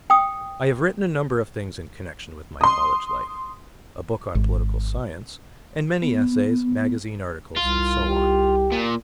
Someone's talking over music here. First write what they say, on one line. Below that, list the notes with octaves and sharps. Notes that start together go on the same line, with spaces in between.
I have written a number of things in connection with my college life--a book on Political Science, and many essays, magazine articles, and so on.
G5 D#6
C6 D#6
G#1
B3
C2 F4
G4
A#2